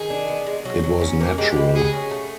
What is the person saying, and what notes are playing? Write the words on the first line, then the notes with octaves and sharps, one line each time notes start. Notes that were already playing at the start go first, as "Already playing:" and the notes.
It was natural.
Already playing: D#3 G#4
D4
B3
G#3
F#3
F#3
C#4
A#3
G#3 G4
B4
F#4 G#4
C#4
A3